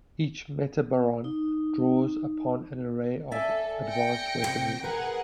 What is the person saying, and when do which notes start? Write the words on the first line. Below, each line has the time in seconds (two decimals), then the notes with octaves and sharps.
Each Metabaron draws upon an array of advanced weaponry.
1.24 D#4
3.32 A4 D5 E5 G#5
3.87 G5 A#6 C#7
4.42 D2 C3
4.84 G#4 A#4 B4 F#5